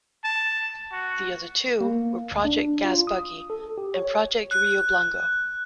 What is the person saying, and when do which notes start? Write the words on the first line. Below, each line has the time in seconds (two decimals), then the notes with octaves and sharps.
The other two were Project Gasbuggy and Project Rio Blanco.
0.24 A5
0.92 F#4
1.81 A#3
2.32 D2
2.45 D4
2.84 F4
3.07 D#6
3.50 A4
3.78 G4
3.94 C#5
4.51 F#6